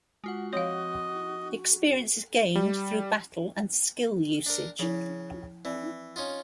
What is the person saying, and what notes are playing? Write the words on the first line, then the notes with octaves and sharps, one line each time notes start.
Experience is gained through battle and skill usage.
G#3 F4 F#4 F#5
F3 C4 C#5 D#5 F5
G3
D4 A#4
C#3 F3 E4
E3 C4 D5
C#4 D#4 F4